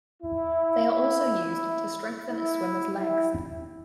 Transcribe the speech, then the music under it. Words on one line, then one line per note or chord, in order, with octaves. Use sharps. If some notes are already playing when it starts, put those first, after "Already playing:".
They are also used to strengthen a swimmers legs.
E4
E4
E4